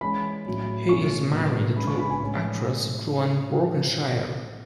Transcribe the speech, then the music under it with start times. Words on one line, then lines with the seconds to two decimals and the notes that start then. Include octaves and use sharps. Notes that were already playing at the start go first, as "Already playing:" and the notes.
He is married to actress Joan Brockenshire.
0.01 E3 G#3 C#4 B5
0.45 A2 F#3 C#4
0.89 B2 A3 C#4 C#6
1.33 A2 F#3 B3
1.76 C#3 G#3 B3 D4 B5
1.87 C#6
1.99 B5
2.10 G#5
2.21 A2 G#3 C#4